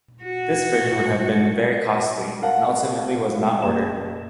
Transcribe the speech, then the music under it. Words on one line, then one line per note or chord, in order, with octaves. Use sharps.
This version would have been very costly, and ultimately was not ordered.
F#4
A#4 F5 F#5 A5
F#1 G#4 E7